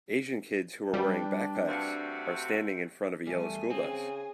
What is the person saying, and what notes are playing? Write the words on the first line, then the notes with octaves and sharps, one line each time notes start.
Asian kids who are wearing backpacks are standing in front of a yellow school bus.
G3 D4 B4 G5
C3 A3 F#4 B4 F5
E2 G3 A3 G#5
C#3 C4 G#4